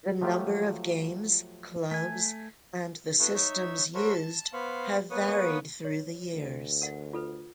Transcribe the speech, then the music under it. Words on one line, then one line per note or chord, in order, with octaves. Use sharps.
The number of games, clubs and the systems used have varied through the years.
F3 F#3 A3 F4 G4
A3 G#5
B3 E4 F#4 A4
D#4 C#5 E5
F#4 A4 A#4 C5 C#5 E5
A5
B3 C5 F5 B5 C#6
A#3 B3 B4 C#5 C#6 D#6
C#5
D2
A#4 F#5
F4 A4 B4